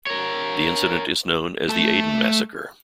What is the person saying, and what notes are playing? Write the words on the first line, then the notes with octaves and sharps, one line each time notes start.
The incident is known as the Ehden massacre.
A#4 C#5
A3 A4